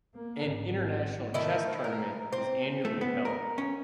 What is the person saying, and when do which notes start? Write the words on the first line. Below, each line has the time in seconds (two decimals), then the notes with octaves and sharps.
An international chess tournament is annually held.
0.15 A#3
0.47 G#1
1.34 D#3 A3 E4
1.84 A#4
2.33 C4
2.85 A3
3.01 B3
3.25 A#4
3.58 C#4